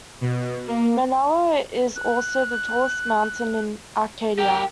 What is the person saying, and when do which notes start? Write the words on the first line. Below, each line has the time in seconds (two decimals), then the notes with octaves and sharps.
Mainalo is also the tallest mountain in Arcadia.
0.21 B2
0.67 A#3
1.96 F#6
4.39 G4 A#4 G5